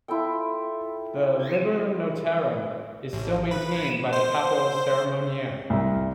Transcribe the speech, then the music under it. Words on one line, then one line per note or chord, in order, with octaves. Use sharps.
The "Liber Notarum" is still maintained by the papal Ceremoniere.
E4 F4 A4 G5
A1
B4
C5
C2